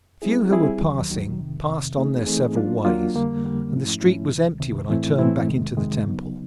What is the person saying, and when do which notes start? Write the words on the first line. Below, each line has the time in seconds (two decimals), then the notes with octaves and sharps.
The few who were passing passed on their several ways, and the street was empty when I turned back into the Temple.
0.22 G3 C4 E4 G#4
0.51 G3 C4 E4 G#4
0.81 D#2 D#3 F#3
1.09 D#2 D#3 F#3
1.39 F2 C3 D#3
1.68 F2 C3 D#3
1.97 E3 A3 C4 D#4 G#4
2.27 E3 A3 C4 D#4 G#4
2.56 F#3 A#3 D4 F4
2.85 F#3 A#3 D4 F4
3.14 F2 D3 G3 A#3
3.43 F2 D3 G3 A#3
3.72 G#2 F3 A3 C#4 E4
4.01 G#2 F3 A3 C#4 E4
4.31 D2 C3 D#3
4.60 D2 C3 D#3
4.89 A2 E3 A3 C4 E4
5.18 A2 E3 A3 C4 E4
5.48 F2 C3 D#3 G#3
5.77 F2 C3 D#3 G#3
6.06 C#3 F#3 B3 D#4